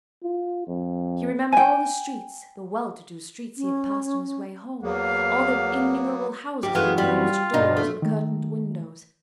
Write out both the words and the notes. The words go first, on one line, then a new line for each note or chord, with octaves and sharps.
He remembered all the streets--the well-to-do streets he had passed on his way home; all the innumerable houses with closed doors and curtained windows.
F4
F2
G5 G#5
C#4
E2 F#3 A#3 B3 F5
D2 G3 D6
F#2 E3 G#3 A3 B3 F#4 F5
G3 F4
G2 B2 D4 D#4
A3
D#3 A3